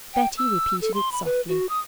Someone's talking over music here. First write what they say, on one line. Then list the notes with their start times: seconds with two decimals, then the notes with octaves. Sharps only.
Betty repeated it softly.
0.14 G5
0.37 E6
0.81 A4
0.94 C6
1.12 B5
1.25 B4
1.49 F#4
1.69 D#6